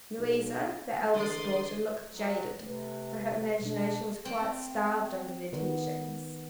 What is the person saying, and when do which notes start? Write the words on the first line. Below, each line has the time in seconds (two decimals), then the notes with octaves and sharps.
Louisa, the eldest daughter, looked jaded, for her imagination was quite starved under their teachings.
0.18 B1
1.14 D3 E3 A#3 D5 C6 D#6
2.11 F#3
2.63 C3 A3 B4
3.61 B2 G#3 D4
4.25 C4
5.53 D#3 B3